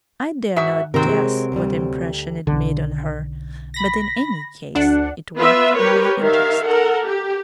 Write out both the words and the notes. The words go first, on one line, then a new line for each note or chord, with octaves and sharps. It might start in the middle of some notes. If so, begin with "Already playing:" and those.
I dare not guess what impression it made on her, but in any case it worked in my interests.
G#2 F#4 E5
G#2 C3 D#3 F#3 A#3 C4 A#4
G#3
D2 G3
B1 D3 C#4
B5 A#6
D2 D4 F#5
B3 F4 B4 E5
G4 A#4 B4 C#5
D#3 A#4 E5 F5
A4 A#4 F#5
G4